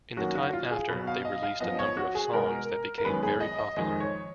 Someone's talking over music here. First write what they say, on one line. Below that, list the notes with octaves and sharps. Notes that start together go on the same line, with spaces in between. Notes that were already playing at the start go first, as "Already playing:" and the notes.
In the time after they released a number of songs that became very popular.
F#2 D#3 F#3 A#3 F#4
F#4
F4
G#4
B2 F#3 B3 B4
F5
D#5
F5
F#2 F3 B3 D#5
C#5
F#4
G#4
B2 G#3 B3 A#4
A#4
F#2 D#3 G#3 B3 B4
G#4
D#5
D#5
F2 D#3 G#3 D#5
C#5